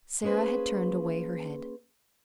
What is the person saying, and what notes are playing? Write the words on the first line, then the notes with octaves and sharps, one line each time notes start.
Sara had turned away her head.
A#3 C#4 G#4 B4 C5